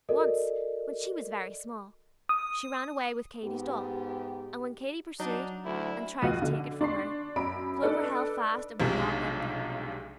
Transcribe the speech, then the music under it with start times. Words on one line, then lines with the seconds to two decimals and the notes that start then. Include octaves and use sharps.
Once, when she was very small, she ran away with Katy's doll, and when Katy pursued, and tried to take it from her, Clover held fast and would not let go.
0.09 F#4 A4 A#4 D5 D#5
2.29 D#6
3.44 G#2 B3 G4
5.20 F#3 D4 D#4
5.65 D2 E4
6.22 C#2 F3 F#4 D#5 D#7
6.42 D3
6.81 D4 C6 C#6 C7
7.36 F#2 F#3 A#5 B5 D7
7.82 D4 D#4 A4 B4 D5
8.80 B1 G2 C3 F3 G#3